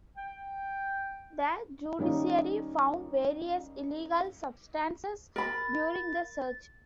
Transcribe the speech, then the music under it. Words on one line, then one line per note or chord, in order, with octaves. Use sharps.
The judiciary found various illegal substances during the search.
G5
D#3 G3 A#3 C#4 D#4
A#4 B5 A6